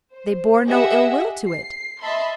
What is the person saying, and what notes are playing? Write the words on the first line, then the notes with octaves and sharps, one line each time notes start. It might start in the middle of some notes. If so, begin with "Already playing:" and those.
They bore no ill-will to it.
C5
G4 G#4 D#5 E5 F#5
C7
D#5 E5 A5 B5 C6